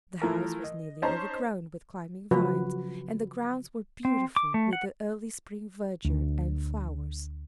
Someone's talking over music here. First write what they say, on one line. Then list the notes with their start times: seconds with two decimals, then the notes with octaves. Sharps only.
The house was nearly overgrown with climbing vines, and the grounds were beautiful with the early spring verdure and flowers.
0.22 E3 F3 A3 A#4
0.64 D#5
1.02 C#4 D#4 C5 A5 A#5
2.31 C#3 F3 F#3 F#4 B4
4.05 C4
4.36 D6
4.54 A3
4.73 F#5
6.05 D2